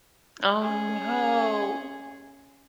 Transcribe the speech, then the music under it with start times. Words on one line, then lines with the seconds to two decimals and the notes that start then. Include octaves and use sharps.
Oh, no.
0.62 C#4 G#4